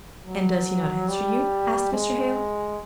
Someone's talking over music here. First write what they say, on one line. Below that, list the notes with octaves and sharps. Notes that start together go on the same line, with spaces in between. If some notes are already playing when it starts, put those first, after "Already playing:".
'And does he not answer you?' asked Mr. Hale.
F#3
G3
G#3